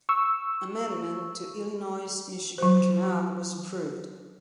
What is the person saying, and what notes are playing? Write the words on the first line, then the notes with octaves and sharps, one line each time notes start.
Amendment to Illinois Michigan Canal was approved.
C#6 E6
F#3 C5